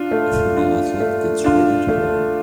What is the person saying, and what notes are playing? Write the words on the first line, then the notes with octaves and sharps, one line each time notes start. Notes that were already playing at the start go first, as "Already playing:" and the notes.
A female athlete gets ready to run.
Already playing: D4 F4
A3
D4 F4
A3
D4 F4
A3